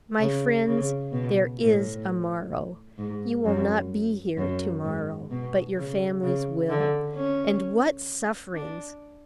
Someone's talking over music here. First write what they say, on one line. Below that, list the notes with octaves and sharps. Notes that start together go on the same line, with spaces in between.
My friends, there is a morrow; you will not be here to-morrow, but your families will; and what sufferings!
C#3
C#3
B2
A2
G#2
F#2
F#2
G#2
B2
C#3
C#3
D3
C#4
D4